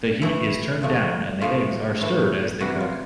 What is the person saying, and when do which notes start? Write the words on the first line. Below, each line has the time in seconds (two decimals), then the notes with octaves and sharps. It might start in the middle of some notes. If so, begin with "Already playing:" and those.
The heat is turned down and the eggs are stirred as they cook.
0.22 A2 E3 A3 E4
0.82 A2 F3 A3
1.41 A2 F3 A3 F4
2.01 A2 E3 A3
2.61 C3 E3 G3 F#4
2.80 F4